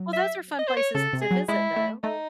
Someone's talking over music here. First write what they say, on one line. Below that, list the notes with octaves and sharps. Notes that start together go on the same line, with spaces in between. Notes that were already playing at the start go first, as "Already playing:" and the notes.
Well, those are fun places to visit, though.
Already playing: F#3
E5
D#5
C5
C#5
C#3 A4
C3
G#4
F#3
G#3 E4
A3
A3 D#4